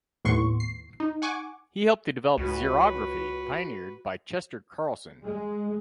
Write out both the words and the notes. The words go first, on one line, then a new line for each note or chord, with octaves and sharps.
He helped to develop xerography pioneered by Chester Carlson.
D#2 A2 B3 C6 C#6
C7
D#4
F#5 G#5 C#6 D6
C#2 F#4 B4
G#3